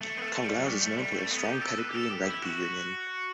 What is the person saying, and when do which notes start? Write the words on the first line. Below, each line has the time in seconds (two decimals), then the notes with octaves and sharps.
Clongowes is known for their strong pedigree in rugby union.
0.01 A3
0.17 B3
0.22 A3
0.44 G3
0.57 F#3
0.66 G3
0.81 A3
0.97 G3
1.14 A3
1.30 B3
1.45 G4
1.61 A4
1.78 B4
1.89 G4
1.95 A4
2.11 G4
2.27 E4
2.42 F#4